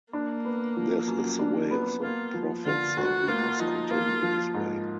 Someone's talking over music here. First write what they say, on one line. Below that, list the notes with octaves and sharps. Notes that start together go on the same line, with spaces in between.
This is the way of the prophets and we must continue this way.
A#3 D4
B3
F3
F#2
D4
B3
A#3 F4
F3
D3 F4
D2 F#4
A#3 F4
F3 D#4
A#3 F4
F3
G#2